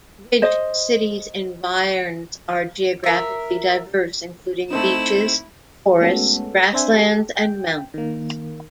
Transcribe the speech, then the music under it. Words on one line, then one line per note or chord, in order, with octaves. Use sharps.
Ridge City's environs are geographically diverse, including beaches, forests, grasslands and mountains.
C5 D#5
A#4 E5
A3 C4 D#4 E4 E7
G#3 A3 B3 C#4 F#4 A4
C4 D4 C5 E5 G#5
G4 A4
G5
D#3 A#3